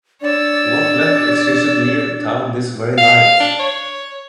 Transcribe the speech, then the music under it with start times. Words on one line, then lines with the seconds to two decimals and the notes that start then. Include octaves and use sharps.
What luck if she should leave town this very night!
0.22 D4 C#5 D5 E6
2.97 F5
3.40 D4
3.59 C#5